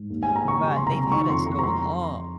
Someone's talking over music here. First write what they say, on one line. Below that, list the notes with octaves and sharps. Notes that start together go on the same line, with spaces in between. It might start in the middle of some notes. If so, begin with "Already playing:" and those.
but they've had it so long.
Already playing: G#2
D#2
G#3 G#5
A#5
C#3 C#6
G3
C2 C6
A#5
C2
D#3 C#6
F2 C6
F2 A#5
A#5
G#3 C6